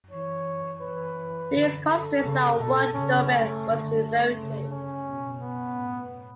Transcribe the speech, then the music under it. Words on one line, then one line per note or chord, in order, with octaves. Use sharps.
These constraints are what Dummett was referring to.
E3 C#5
E3 B4
D3
A4
C#3
B2 A4
C#3 C#4
A3
D3
A3
C#3
C#4
B2
B3
A2